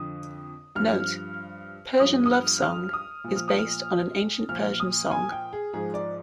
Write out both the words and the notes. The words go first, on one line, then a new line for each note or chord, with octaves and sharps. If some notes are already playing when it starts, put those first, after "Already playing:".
Note: "Persian Love Song" is based on an ancient Persian song.
Already playing: F2 D3 F3 D#6
G2 F3 F6
G2 F3 D#6
D#6
F6
F6
D#6
A#2 F3
F6
D#6
F6
A#2 F3 F6
D#6
G#5
G5
G#4
G#2 F3 G#4
D5